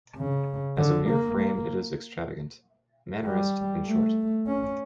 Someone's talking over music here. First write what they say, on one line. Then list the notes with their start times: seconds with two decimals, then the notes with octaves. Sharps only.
As a mere frame it is extravagant: Mannerist, in short.
0.16 C#3
0.78 D3
1.09 A#3
1.40 A#3
3.24 G3
3.87 A3
4.47 C#4